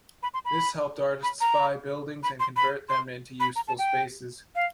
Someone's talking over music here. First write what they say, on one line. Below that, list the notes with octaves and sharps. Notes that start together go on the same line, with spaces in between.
This helped artists buy buildings and convert them into useful spaces.
B5
C6
B5
B5
A#5
B5
C6
B5
C6
B5
A#5
A5
G5
F5